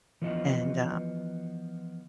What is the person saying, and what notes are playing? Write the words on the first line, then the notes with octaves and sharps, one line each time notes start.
and uh
E3 F3 B3 D#5